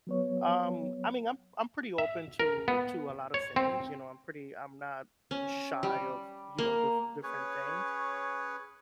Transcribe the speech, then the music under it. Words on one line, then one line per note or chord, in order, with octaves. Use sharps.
um, I mean, I'm I'm pretty open to to a lotta things, you know, I'm pretty I'm not shy of, you know, diff different things,
F#3 B3 C#5
E5
A#4
B3
C#5
C4
C#4
G3
A#3
C#4 G#4 B4 C#5